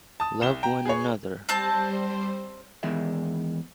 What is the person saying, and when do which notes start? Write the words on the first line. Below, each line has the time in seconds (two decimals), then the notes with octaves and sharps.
Love one another.
0.20 A5 D#6
0.41 C2 E7 G7
0.63 G5 A#5
0.86 G#4 B4 C#5
1.49 G3 C4 C5 A5 G6
2.83 E2 D#3 G#3 E5